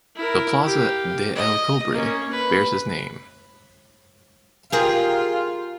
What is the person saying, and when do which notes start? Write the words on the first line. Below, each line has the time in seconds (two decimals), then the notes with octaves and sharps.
The Plaza de El Cobre bears his name.
0.16 E4 A#4
0.66 G4 F5
1.35 D#5
1.92 A#3 C#4
2.32 B4
4.72 F4 G4 G#4 A#4